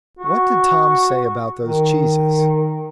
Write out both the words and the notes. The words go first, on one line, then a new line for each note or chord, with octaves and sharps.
"What did Tom say about those cheeses?"
F#4
D#3